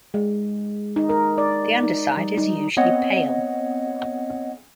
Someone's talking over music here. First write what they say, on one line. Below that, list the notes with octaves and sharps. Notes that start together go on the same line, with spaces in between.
The underside is usually pale.
G#3
D#4
A#4
D5
D#4
G3
D#4
B3 C4 C#5 D#5 F#5